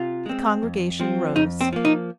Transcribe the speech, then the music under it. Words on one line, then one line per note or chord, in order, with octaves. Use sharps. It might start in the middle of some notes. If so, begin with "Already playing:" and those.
The congregation rose.
Already playing: C3 F4
G#3 C4
F2
F3 C4
F2 D#4
C4
F3 A#3
D#4